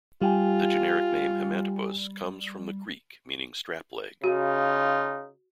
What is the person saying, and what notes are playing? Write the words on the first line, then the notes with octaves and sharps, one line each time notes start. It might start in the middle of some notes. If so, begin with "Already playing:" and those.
The generic name "Himantopus" comes from the Greek meaning "strap-leg".
G3 F4 G4 G5 G#5
C#3 D#4 F4 F#4